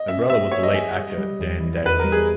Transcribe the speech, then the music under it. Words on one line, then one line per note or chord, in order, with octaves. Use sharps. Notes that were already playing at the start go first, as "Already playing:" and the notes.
Her brother was the late actor Dan Dailey.
Already playing: D#5
C#4 E5
A#3 E5
A#3 C#5
D#5
G#4
G3
G3
E2
E3
E2 B4
G3 A#4
G#4